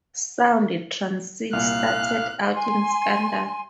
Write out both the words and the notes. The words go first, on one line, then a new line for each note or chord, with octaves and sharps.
Sound Transit started out in scandal.
C2 A#2 F5 F#6
G#5 C6